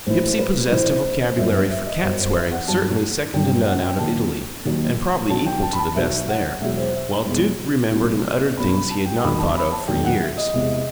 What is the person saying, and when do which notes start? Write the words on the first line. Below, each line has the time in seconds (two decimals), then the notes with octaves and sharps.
Gipsy possessed a vocabulary for cat-swearing certainly second to none out of Italy, and probably equal to the best there, while Duke remembered and uttered things he had not thought of for years.
0.07 A1 A2 E3 C5
0.39 B4
0.72 A1 A2 E3 C5
1.37 G1 F#2 F#3 E5
1.54 E5
1.70 E5
1.86 D#5
2.02 G1 F#2 F#3 C5
2.19 C5
2.35 E5
2.52 F#5
2.68 G1 G2 F#3 A5
3.33 G1 G2 F#3 G5
3.66 F#5
3.82 G5
3.99 D#2 D#3 F#3 A5
4.65 D#2 D#3 F#3
5.30 B1 B2 F#3 A5
5.46 G5
5.62 A5
5.73 B5
5.79 A5
5.95 B1 B2 F#3 E5
6.29 F#5
6.61 E1 E2 B2 F#3 E5
6.77 C5
6.94 E5
7.26 E1 E2 B2 F#3
7.92 B1 B2 F#3
8.57 B1 B2 F#3 B5
8.74 B5
8.90 A5
9.06 G5
9.23 E1 E2 D#3 F#3 B5
9.39 A5
9.55 B5
9.72 A5
9.88 E1 E2 D#3 F#3 G5
10.05 F#5
10.21 E5
10.38 D#5
10.54 E1 E2 C3